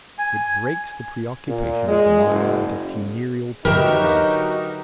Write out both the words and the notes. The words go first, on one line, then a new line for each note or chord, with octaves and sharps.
It breaks the preoccupation of the mind into funereal paragraphs.
G#5
A#2
G#3
F#1
D3 F#3 D#4 F#4 G4 A#4 B4 E5